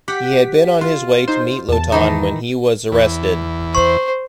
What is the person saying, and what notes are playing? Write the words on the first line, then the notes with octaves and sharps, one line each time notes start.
He had been on his way to meet Lotan when he was arrested.
G4 F#5 B6
F4
D#4 C5
E2 A5
D#3 E3 D#4
E2
C5 C#6